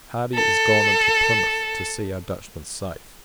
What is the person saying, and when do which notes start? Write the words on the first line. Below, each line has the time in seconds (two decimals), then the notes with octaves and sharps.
Hardy is gone into Plymouth, to see our Dutchman safe.
0.35 A4